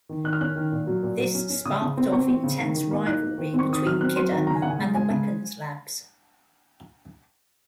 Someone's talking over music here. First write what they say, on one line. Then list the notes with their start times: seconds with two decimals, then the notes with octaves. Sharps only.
This sparked off intense rivalry between Kidder and the weapons labs.
0.09 D#3
0.24 D#3 F#6
0.33 F6
0.41 C#4 F#6
0.56 D#3
0.72 A#2
0.87 F#3
1.03 A#2
1.19 F#3
1.35 C#4
1.50 C#4
1.65 C#3 D#6
1.82 C#3
1.97 C4
2.12 C4 C#6
2.28 C4
2.44 C#3
2.60 D#3
2.75 D#3
2.91 A#3
3.07 D#4 F#6
3.23 A#3
3.38 D#3
3.54 C4
3.59 C#6
3.69 D#3 D#6
3.85 F#3 F6
4.01 C4 F#6
4.16 F#3 C6
4.32 D#3 A#5
4.47 C#3 A#5
4.55 G#5
4.62 C#3 F#5
4.69 G#5
4.79 G#3
4.95 G#3 G#5
5.10 C#3